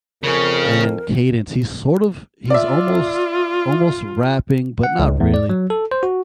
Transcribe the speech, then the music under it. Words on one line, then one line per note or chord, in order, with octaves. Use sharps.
and cadence, he's sort of he's almost almost rapping, but not really.
F2 C#3 C#4 A#4
F4 D5 E5
F#5
C#2
E2
D5
F#3
A4
C5
F#4